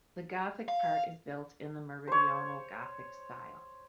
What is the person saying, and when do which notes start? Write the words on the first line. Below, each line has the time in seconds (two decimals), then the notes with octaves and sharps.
The Gothic part is built in the Meridional Gothic style.
0.68 F5
2.08 C5 C#5